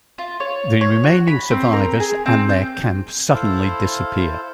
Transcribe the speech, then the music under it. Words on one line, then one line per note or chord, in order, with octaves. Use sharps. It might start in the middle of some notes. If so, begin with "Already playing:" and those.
The remaining survivors and their camp suddenly disappear.
F4
C#5
C#5
F#4
B5
C4
A#4
G#4
C4
G6
E4 A4 C5 F5